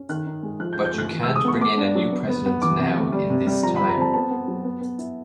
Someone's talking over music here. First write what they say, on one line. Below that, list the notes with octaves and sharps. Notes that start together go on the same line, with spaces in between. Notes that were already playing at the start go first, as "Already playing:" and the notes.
But you can't bring in a new president now, in this time.
Already playing: C#4
D#3 F#6
D#4
G#3
F3 F#6
G6
F3
G6
A3 F#6
E3
E6
G#3
D#6
B3 C#6
B3 D6
D4
F#3
B3
B3
B3
E3 D6
C3
A3
G3
C3
G3
F3 A#5
B5
F3
A#5
C4 A5
B3 A5
B3
F#3
B3
B3
E4